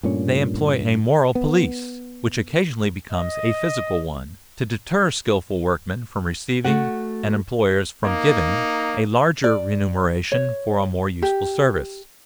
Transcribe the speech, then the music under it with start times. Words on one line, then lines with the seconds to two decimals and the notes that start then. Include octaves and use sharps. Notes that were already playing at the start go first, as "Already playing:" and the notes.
And they employ a moral police, which occasionally becomes a physical one, to deter skilful workmen from receiving, and employers from giving, a larger remuneration for a more useful service.
0.03 G2 A#2 A3 C#4
1.35 B3
3.11 D#5
6.64 A3 F#4 F#5
8.03 A#3 D#4
9.44 D5
10.32 C#5
11.22 G4